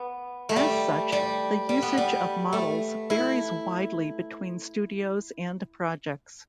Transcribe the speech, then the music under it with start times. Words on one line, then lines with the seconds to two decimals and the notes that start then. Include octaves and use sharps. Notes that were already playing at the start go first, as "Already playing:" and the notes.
As such, the usage of models varies widely between studios and projects.
Already playing: B3
0.49 A3
0.56 G3
1.12 G3
1.69 G3
1.82 B3
1.97 G3
2.53 A3
3.10 E4